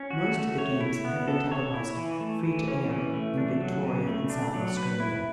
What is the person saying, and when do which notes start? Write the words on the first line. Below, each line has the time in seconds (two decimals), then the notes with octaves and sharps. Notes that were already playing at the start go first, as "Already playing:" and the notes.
Most of the games have been televised free-to-air in Victoria and South Australia.
Already playing: C#4
0.11 F#4
0.34 A3
0.58 C#5
0.80 E4
1.05 B3
1.28 A4
1.51 C#5
1.74 E4
1.97 E3
2.21 A3
2.43 E3
2.68 C#4
2.90 E3
3.14 A3
3.38 D4
3.60 F#3
3.84 C#3
4.07 A3
4.30 D4
4.54 F#3
4.77 B4
5.00 E4